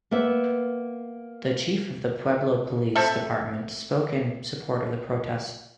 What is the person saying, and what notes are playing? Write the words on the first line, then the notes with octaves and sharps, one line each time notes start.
The chief of the Pueblo Police Department spoke in support of the protest.
A#3 B3 E5
C4 A4 E5